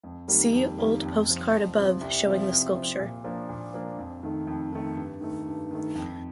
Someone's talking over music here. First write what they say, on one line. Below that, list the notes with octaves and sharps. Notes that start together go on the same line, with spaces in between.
See old postcard above showing the sculpture.
F2
D#3 G3 A#3
F2
D#3 G3 A#3
F2
C3 F3
F2
C3 F3
C2
C3 F3
C2
C3 F3
A#2
F3 A#3 D4
A#2
F3 A#3 D4
F2
D#3 A3
F2
D#3 A3
G2
D#3 A3
G2
D#3 A3
F2